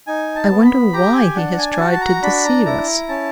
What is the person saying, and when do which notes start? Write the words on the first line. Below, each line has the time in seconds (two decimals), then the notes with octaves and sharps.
"I wonder why he has tried to deceive us."
0.07 D#4 G#5
0.36 A5
0.51 B3
0.65 B5
0.93 G4 A#5
1.15 G#5
1.36 D4 F#5
1.58 G#5
1.73 G#5
1.80 F#4 A5
1.92 A5
2.01 A#5
2.23 D4 B5
2.45 A#5
2.66 E4 A#5
3.09 C#4 A5